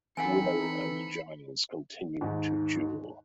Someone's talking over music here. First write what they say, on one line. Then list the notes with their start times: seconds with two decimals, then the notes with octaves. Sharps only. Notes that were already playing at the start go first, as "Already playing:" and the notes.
Willow and Giles continue to duel.
0.17 E3 C4 D#4 A4 F#5 G#5 B5 C#7
2.21 D#2 G#2